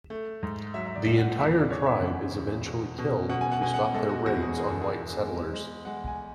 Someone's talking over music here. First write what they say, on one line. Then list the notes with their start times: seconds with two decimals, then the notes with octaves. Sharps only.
The entire tribe is eventually killed, to stop their raids on white settlers.
0.10 A3
0.43 G#2
0.74 F#3 E5
0.86 E5
0.95 D5
1.07 G#2
1.17 F#5
1.39 E2 E5
1.55 D5
1.70 C#3 C#5
1.86 E5
2.02 C#3 F#5
2.34 E2
2.66 B2
2.98 B2
3.29 B2 F#5
3.41 G#5
3.52 F#5
3.62 B2 G#5
3.74 F#5
3.94 G#3 A4
4.09 F#4
4.26 E2 F#4
4.42 G#4
4.58 E2 G#4
4.70 A4
4.82 G#4
4.90 E2
5.21 G#3
5.53 G#3
5.85 G#3 F#5
6.07 G#5